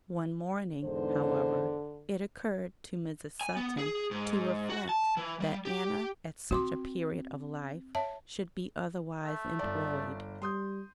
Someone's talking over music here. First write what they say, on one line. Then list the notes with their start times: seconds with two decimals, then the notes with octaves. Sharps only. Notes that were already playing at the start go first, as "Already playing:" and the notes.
One morning, however, it occurred to Mrs. Sutton to reflect that Anna, at such a period of life, should be otherwise employed.
0.83 E2 G#2 D3 C5
3.41 G#5
3.57 B3
3.79 G#4
4.11 G#2
4.70 F#4
4.89 A5
5.17 E3
5.40 G3
5.65 G4
6.51 C4 F#4 C6 D6
7.95 C#5 E5 A5
9.24 A3
9.59 G1 D5
10.42 G3 C6 D#6 G6